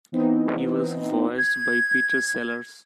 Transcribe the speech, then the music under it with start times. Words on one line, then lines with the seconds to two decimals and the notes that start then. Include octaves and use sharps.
He was voiced by Peter Sellers.
0.12 E3 B3 C4 D#4
1.38 G#6